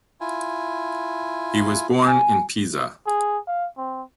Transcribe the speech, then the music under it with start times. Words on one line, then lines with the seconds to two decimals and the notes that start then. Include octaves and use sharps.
He was born in Pisa.
0.21 E4 F4 G#5
2.07 G#5
3.07 G#4
3.48 F5
3.78 C4